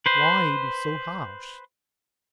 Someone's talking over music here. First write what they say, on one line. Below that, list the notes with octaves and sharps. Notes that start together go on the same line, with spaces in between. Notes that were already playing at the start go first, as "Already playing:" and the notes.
Why be so harsh?
B4 C5